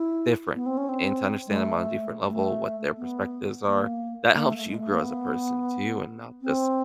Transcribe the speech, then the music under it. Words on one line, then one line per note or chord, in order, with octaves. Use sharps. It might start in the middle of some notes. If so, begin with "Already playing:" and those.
different. And to understand them on a different level, what their perspectives are, that helps you grow as a person too, and not just,
Already playing: E4
B3
C4
C#4
C4
G#3
A3
A3
B3
A#3
A#3
A3
A3
G#3
A3
A#3
B3
C4